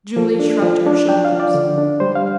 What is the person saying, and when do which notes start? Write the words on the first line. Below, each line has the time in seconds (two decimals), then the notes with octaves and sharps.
Julie shrugged her shoulders.
0.16 F3 A4
0.40 D4
0.63 F3
0.87 D4
1.09 D4 G5
1.25 F5
1.32 F3
1.40 D5
1.55 D3
1.78 D4
2.00 G3 C5
2.15 F5